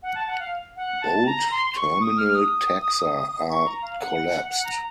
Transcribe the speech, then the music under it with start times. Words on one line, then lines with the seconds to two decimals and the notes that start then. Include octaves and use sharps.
Bold terminal taxa are collapsed.
0.03 F#5
0.15 A5
0.27 F#5
0.39 F5
0.76 F#5
1.01 A5
1.26 A#5
1.51 C6
1.70 C6
1.76 C#6
2.01 D#6
2.17 F6
2.33 D#6
3.50 C#6
3.65 A#5
3.82 F5
3.99 F#5
4.49 F#5
4.65 A#5